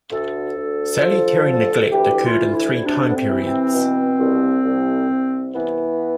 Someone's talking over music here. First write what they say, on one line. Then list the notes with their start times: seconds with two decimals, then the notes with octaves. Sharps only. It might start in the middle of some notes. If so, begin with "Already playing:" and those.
Salutary neglect occurred in three time periods.
0.11 D2 A4
0.57 D2
1.02 F3
1.47 D2
1.92 E3 G4
2.22 F4
2.39 D2
2.53 E4
2.83 C3 D4
3.09 B3
3.14 C4
3.29 E3
3.44 C4
3.74 B2
4.20 C2
4.64 C2
5.10 C2
5.55 E3 B3